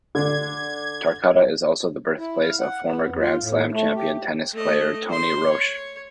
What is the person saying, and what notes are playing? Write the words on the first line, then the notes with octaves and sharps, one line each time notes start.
Tarcutta is also the birthplace of former Grand Slam champion tennis player Tony Roche.
D3 D4 G#6
E4
F5
F#5
B3
F2
F4
A2
A3
G4
A3 D#5
C5 C6
C#5